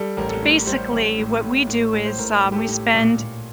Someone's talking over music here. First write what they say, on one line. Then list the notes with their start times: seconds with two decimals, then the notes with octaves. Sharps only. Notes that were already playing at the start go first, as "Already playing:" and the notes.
basically what we do is, um, we spend,
Already playing: G3 A4
0.17 A1 A#4
0.29 A4
0.43 A2
0.67 G3 C5
0.92 A1
1.18 A2
1.43 A2
1.67 A2
1.93 A2
2.05 C5
2.19 A2 A#4
2.44 A2
2.52 G4
2.56 A4
2.68 A2
2.94 A#2
3.19 A#2